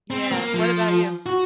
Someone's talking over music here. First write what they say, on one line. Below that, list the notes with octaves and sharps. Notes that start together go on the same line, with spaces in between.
Yeah, what about you?
C4
A#3
F3
F#4